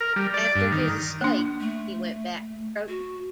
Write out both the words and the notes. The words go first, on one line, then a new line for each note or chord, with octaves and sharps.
After his escape he went back to Croton.
A#4
G3
D5
G2
D#3
A#3 D4
A3
F#4